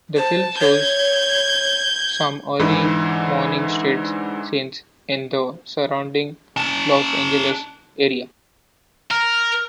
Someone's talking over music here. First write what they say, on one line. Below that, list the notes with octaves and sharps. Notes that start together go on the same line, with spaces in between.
The film shows some early morning street scenes in the surrounding Los Angeles area.
C5 A5
C#5 G6 G#6
G#2 D3 E3 D#4 B5
C#4 A5
A#4 F6